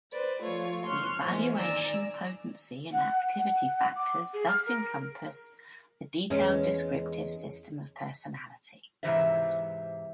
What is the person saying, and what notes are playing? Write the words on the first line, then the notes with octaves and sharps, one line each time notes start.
The evaluation, potency and activity factors thus encompass a detailed descriptive system of personality.
B4 C5 D5
F3 A3 F4 C#5
C6 C#6 F6 F#6
E3 F3 G#3 A#3 B3
D#3 D5 G#5 A#5 E6
F#5
F#5
D6
G#4
F6
A#4
E2 G#3 C#4
G#2 C3 E3 C5 E5